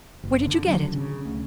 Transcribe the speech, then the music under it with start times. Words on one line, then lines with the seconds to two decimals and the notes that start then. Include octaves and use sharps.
Where did you get it?
0.23 F#1
0.47 D3
0.67 F#3
0.82 D3
0.95 C#3
1.25 D2